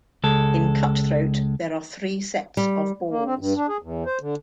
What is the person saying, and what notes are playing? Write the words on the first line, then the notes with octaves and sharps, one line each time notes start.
In cutthroat, there are three sets of balls.
C#2 G#3 A4
G3
A#3
C4
G2
D4
G#4
E2
C5
D3